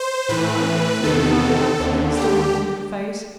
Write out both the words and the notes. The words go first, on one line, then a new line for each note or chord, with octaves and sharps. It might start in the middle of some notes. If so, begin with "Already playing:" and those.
"Ah?" said her father, doubtfully, still looking in her face.
Already playing: C5
A2 E3 B4
E2 C3 D#3 A4
D#2 D3
G4